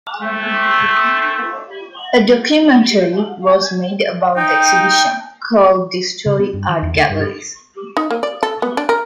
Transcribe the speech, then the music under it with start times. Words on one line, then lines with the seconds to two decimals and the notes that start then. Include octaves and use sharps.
A documentary was made about the exhibition, called "Destroy Art Galleries".
0.22 A3 C4
4.36 D#4 G5
6.26 C#3
6.39 B3
6.53 G2
6.68 D#3
6.82 E2
6.95 D2
7.09 G2
7.97 D#4
8.11 A#3
8.23 D5
8.43 A4
8.62 B3
8.77 D4
8.89 A#4